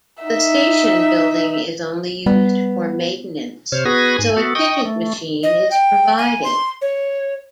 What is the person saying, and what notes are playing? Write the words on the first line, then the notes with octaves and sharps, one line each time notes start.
The station building is only used for maintenance so a ticket machine is provided.
D#4 E5
G3 B3
C3 C5 C#5 F6
B3 F#4 G#4 B4 G#6 A#6
G#2 G#5
B3 F#4 A4
D#5 G5 C#6 D#6
A3
D#5
G5
G#5
C6
C#5